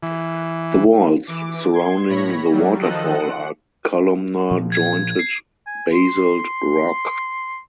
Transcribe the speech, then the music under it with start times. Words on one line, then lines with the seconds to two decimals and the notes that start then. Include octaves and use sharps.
The walls surrounding the waterfall are columnar jointed basalt rock.
0.03 E3
1.27 E3 D6
1.73 C6 G#6
2.09 A2 C#5 B5 A#6
2.50 F#3 G3
2.81 D#3 F3 A4 D#5 F#6
3.16 F#5
4.51 A#2 F3
4.72 G#6
5.19 C7
5.66 G#5
5.93 C6